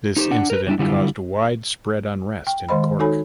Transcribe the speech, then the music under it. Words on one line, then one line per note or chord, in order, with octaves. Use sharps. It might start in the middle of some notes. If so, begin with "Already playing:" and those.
This incident caused widespread unrest in Cork.
D#4 G4 G#4 C5
D4 F#5
A#4 B4
F#3 G3 D4 E4
F#2 D3 G3 E4 F4
G5
D#3 G#3 C5 D#5 B5
D#4 F#4 A4 C#5 G#5 B5